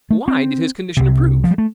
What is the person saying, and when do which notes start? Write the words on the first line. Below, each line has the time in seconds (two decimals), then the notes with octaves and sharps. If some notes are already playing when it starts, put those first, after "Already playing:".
Why did his condition improve?
0.10 A3
0.28 C4
0.97 C2 C3
1.44 F3
1.51 G3
1.58 A3